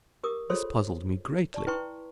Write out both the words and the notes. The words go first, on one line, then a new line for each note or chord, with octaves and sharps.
This puzzled me greatly.
G4 A#4 D6 D#6
F4 G#4 A4 C5 C#5 C6
D5 A5 C#6
E4 B4 G5 A#5 C6 C#6